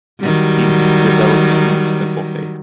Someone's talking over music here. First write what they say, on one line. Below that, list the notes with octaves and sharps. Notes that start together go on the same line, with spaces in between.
He developed a deep, simple faith.
D#3 F#3 G3